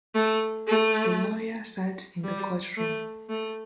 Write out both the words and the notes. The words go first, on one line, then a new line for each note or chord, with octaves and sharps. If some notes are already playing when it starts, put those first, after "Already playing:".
The lawyer sat in the courtroom.
A3
A3
G3
A3
A3